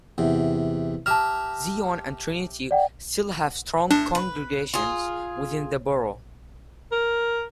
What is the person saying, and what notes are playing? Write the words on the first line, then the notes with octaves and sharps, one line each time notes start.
Zion and Trinity still have strong congregations within the Borough.
E2 C3
G4 E5 A5 A#5 F6
D5 F#5 G5
A2 D4
B4
F4 G#4
A#4